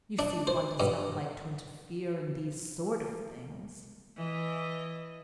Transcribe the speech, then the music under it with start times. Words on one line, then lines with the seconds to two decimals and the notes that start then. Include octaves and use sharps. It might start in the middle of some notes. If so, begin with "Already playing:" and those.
You see, one does not like to interfere in these sort of things.
0.19 D4
0.47 C5
0.80 G2
4.17 E3 D#5